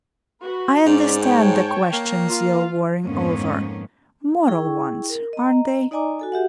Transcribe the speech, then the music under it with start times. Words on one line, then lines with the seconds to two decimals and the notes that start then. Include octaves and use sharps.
I understand the questions you are worrying over--moral ones, aren't they?
0.42 F#4 B4
0.86 G#2 C#4 D5
1.22 C#5 G5 A5
1.93 A#3
2.29 F4 F5
3.05 F2 G#2 D#3 A#3 B3 C#4
4.46 E4 G#4 G5 C#6
5.09 A#4
5.33 D#5 A#5
5.91 D#4 D5 D#5 G#5 A#5 D6
6.19 F#4 A4 G#5
6.32 F#4 G4 E5 F#5